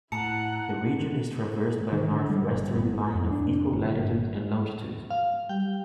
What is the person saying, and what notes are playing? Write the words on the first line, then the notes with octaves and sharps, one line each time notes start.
The region is traversed by a northwesterly line of equal latitude and longitude.
A2 E4 F#5 A5 A#5 C#7
D#3
D3
G3
G1
B3
F2
D4
G1
F5
G3 G5